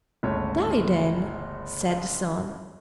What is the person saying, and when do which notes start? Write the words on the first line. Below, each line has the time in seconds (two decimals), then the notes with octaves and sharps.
'Die, then,' said the son.
0.23 G1 C#2 A3 C#5